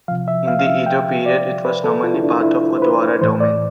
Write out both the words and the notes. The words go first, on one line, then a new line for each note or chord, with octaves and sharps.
In the Edo period, it was nominally part of Odawara Domain.
C3 F3 F5
E5
F5
F5
E5
G5
D5
B4
A4
F4
E4
D4
E4
C5
B4
A2 E3 C5
D5